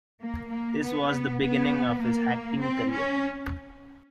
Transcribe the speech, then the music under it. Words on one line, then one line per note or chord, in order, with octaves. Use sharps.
This was the beginning of his acting career.
A#3
A#3
B3
B3
A#3
C4
C#4